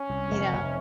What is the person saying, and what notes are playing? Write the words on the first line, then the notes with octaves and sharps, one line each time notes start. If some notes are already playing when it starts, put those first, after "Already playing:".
You know?
Already playing: C#4
C2
F1
F1